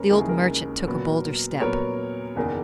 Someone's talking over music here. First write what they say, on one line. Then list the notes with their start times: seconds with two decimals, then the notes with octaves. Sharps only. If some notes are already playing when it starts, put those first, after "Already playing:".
The old merchant took a bolder step.
Already playing: D#2 C#3 G#3 C#4 A#4 B4 C#5
0.10 D#2 C#3 G#3 C#4 E4 A#4
0.20 G#4
0.29 A#4
0.86 A#2 F#3 B3
1.61 A#2 F#3 B3 A#4 C#5
2.36 F#1 E2 D#3 A#3 G#4